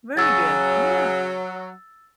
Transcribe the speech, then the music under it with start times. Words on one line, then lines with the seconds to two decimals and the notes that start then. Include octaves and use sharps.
Very good yeah.
0.17 C#3 F#3 E6 A6